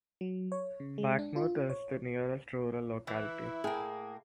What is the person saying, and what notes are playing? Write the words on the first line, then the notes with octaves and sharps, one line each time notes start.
Bakhmut is the nearest rural locality.
F#3
C#5
C#3
G#3
D4
F4
C#5
E3 E4
A2 A#3 G#4